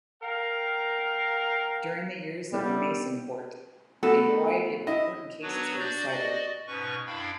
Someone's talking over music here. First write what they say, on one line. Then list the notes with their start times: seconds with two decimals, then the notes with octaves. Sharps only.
During the years of the "Mason Court", a variety of important cases were decided.
0.22 A#4 F5 G5
2.53 G3 B3 E4 D5
4.03 A3 B3 F#4 A4
4.87 E4 D#5
5.42 F#3 B3 D4 F#4 B4 C#5
5.79 D4 F#4 D5 G6
6.09 F#4 D5 D#5
6.67 G#2 B2 C#4 B4 C#6
7.07 F#2 D4 E4 F5 G5 B5